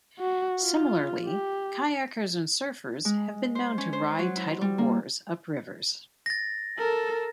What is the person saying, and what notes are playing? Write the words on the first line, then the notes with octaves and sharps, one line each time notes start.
Similarly, kayakers and surfers have been known to ride tidal bores up rivers.
F#4
F4
G4
G#3
C5
C#4
C5
F#3
E4
G3
A#3
A6 A#6
A4 A#4